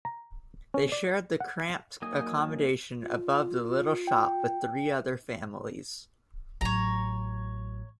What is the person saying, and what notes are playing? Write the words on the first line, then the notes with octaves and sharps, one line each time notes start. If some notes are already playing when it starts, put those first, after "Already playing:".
They shared the cramped accommodation above the little shop with three other families.
A#5
C#4
D5
F#5
F#3 A#3 D#4 G#5 D#6
F4
G5
A1 F#3 C#5 A#5